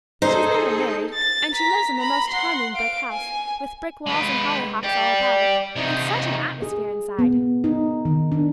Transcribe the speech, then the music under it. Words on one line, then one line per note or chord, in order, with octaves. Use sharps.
She's never married, and she lives in the most charming brick house, with brick walls and hollyhocks all about it, and such an atmosphere inside!
D#4 G#4 A4 C5
A6
A#5 B6
A#5 B5
F#5 C6
F5 D7
G#5
G#3 B4
D5 G5
C3 D#4
G#4
B3
D#4
D#3
D4